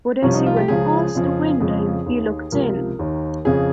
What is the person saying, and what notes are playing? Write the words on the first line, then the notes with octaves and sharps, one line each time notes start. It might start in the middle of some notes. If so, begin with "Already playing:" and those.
But as he went past the window he looked in.
C2 C3 F3 C#4
D#4
F4
G4
C#2 C#3 F3 G#4
F2 C#3 F3
F2 C#3 F3 G#4
D#2 D#3
C#2 C3 F3 A#4
D#2 D#3
F2 C#3 F3 G#4